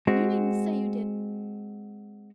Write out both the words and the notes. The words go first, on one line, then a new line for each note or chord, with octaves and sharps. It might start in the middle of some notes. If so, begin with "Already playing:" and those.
You needn't say you did.
G#3 C4 F#4